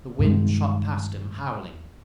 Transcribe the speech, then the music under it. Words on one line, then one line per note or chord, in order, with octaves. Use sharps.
The wind shot past him howling.
G2 C3 D#3 G#3